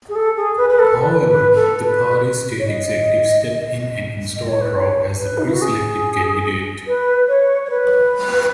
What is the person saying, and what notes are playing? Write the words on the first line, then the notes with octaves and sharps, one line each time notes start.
However, the party's state executive stepped in and installed Rau as the pre-selected candidate.
G#4
A4
G#4
B4
B4
A4
B4
B4
A4
B4
C#5
D#5
D#5
C#5
B4
C#5
B4
D#4
E4
F#4
G#4
B4
C#5
C#5
B4